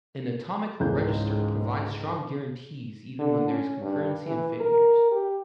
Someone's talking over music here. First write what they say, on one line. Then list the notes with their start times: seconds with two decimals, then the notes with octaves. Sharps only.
An atomic register provides strong guarantees even when there is concurrency and failures.
0.80 C#2 G#2 E3 G6
3.19 D3
3.49 C#4
3.81 G2
4.26 E3
4.60 A#4
5.11 G4